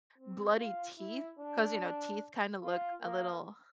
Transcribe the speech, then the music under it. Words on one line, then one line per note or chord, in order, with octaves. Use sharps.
bloody teeth 'cause, you know, teeth kinda look a little
C4
F4
E4
D4
F4
A#3